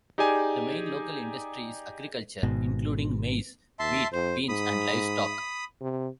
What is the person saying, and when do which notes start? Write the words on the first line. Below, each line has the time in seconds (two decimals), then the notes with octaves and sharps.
The main local industry is agriculture, including maize, wheat, beans, and livestock.
0.18 D#4 G4 G#4 D5 G#5
2.43 G#1 G#2 B2
3.79 D#2 E5 A5 C6
4.13 F2 C5
4.49 G#2 B5 D#6
5.81 C3